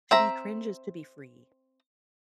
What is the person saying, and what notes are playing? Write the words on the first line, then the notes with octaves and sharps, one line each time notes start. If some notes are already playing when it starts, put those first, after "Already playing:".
To be cringe is to be free.
C4 E5 A#5